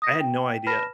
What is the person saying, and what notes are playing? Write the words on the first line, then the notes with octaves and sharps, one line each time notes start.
I had no idea.
D#6 A#6
G5
B4 A5 B5 F6 A#6 E7